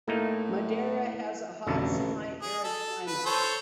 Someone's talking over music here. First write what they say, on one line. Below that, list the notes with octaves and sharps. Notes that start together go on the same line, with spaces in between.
Madera has a hot semi-arid climate.
A2 A3 A#3 D#4
A1 F2 B2 D3
G#4
A4
B4
A4 C5 C#5